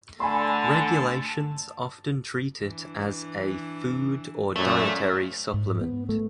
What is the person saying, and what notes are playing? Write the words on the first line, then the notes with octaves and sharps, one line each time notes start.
Regulations often treat it as a food or dietary supplement.
D3 A3 G#5 A5 B5 C6
E3 D4
F#2 A#2 A3
G#2
B3
A3